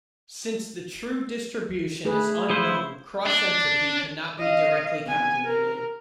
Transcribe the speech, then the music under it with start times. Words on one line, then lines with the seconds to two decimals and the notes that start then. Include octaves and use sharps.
Since the true distribution is unknown, cross-entropy cannot be directly calculated.
2.05 A3 G#4 B4
2.50 F3 E4 C5
3.26 D4
4.38 D#5 F5
5.05 B3 G#5
5.45 A#4